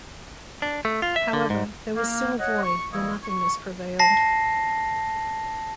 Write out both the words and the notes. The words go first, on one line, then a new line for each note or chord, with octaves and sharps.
However, there was still a void, where nothingness prevailed.
D4
A3
F4
E5
D3
G#2
A#3
C#5 D#5 F#5
C#6
E3 G3 A#3 E4 D#5 C#6
C#6
A5 A#6 C7